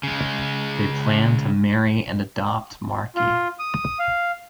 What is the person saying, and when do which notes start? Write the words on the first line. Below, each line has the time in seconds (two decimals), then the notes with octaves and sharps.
They plan to marry and adopt Marky.
0.03 C#3 G#3
3.16 F4
3.59 D#6
3.99 F5